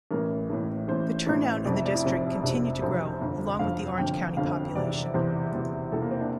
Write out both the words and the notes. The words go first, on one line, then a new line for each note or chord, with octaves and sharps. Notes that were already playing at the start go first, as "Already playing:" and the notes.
The turnout in the district continued to grow along with the Orange County population.
A1 A2 E3 A#4
A1 A2 E3
A1 A2 E3 C5
A1 A2 E3
F1 F2 C3 D5
E5
D5
E4
F1 F2 C3
F1 F2 C3 D4
F1 F2 C3 C5
G1 F2 D3
G1 F2 D3 F5
G1 F2 D3 G5
G1 F2 D3 F5
E2 C3 E3 D5
E2 C3 E3 C5
E2 C3 E3
E2 C3 E3 A4
A#3
C4
D4